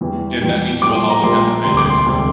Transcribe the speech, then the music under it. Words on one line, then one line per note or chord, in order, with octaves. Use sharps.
and that means you will always have to pay extra.
E2 E3 G3
E2 E3 G3
A#1 A#2 G3 D6
C6
A#5
A#1 A#2 G3 C6
E1 D2 C3 G3 C6
D6
C6
E1 D2 C3 G3